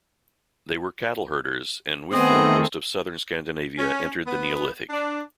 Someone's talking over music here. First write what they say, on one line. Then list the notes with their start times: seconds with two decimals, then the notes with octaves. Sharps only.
They were cattle herders and with them most of southern Scandinavia entered the Neolithic.
2.13 D#3 A3 B3 C4 G#4 D#5
3.78 C#4
4.26 B3
4.90 D4